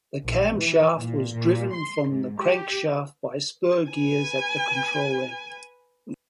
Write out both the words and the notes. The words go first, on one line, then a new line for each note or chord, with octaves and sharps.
The camshaft was driven from the crankshaft by spur gears at the control end.
A#1
E3
A#2
A#2
C6
G#2
G4
B4 G#5